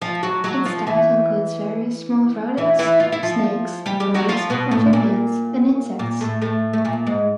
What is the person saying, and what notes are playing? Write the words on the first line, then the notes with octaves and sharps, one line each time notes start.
Its diet includes various small rodents, snakes, birds, amphibians, and insects.
F3 F4
F#3 F#4
F#3 F#4
F3 F4
E3 E4
E3 E4
E3 E4
F4
E4
F3 F4
G3 G4
G3 G4
F#3 F#4
F3 F4
B2 B3
A2 A3
A#2 A#3
A#2 A#3
A2 A3
A2 A3
A3
A#2 A#3
G#2 G#3